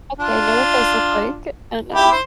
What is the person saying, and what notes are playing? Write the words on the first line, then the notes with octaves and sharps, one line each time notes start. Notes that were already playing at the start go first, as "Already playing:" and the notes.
Okay, I know what those look like and, um
D4 F4
E4 G4
C5